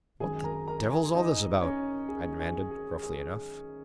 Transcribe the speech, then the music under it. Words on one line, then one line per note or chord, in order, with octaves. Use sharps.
"What the devil's all this about?" I demanded, roughly enough.
G#1 F#2 D#3 G#3 G#4 G#5
A#4 A#5
A#4 A#5
G#4 G#5
D#4 D#5
C#4 C#5
G#4
G#4
G#4
G#4